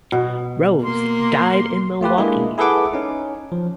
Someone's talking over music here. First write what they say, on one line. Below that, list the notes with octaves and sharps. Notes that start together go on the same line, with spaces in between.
Rose died in Milwaukee.
B2
A#3 C6
A3 F4 G4 B4
G#3 A#3 D4 E4 G#4
E4 G#4 A4 B4 F#5 D6
C#4 D#4
F3